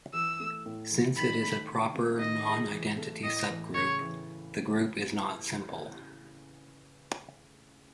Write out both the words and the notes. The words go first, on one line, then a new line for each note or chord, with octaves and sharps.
Since it is a proper, non-identity subgroup, the group is not simple.
E3 E6
A3
A2
E3
D#3 B5
A3
D#3
A3
D#3 D#5
G#3
E3
A3
A2 D#5
E3
C#3 C#5
E3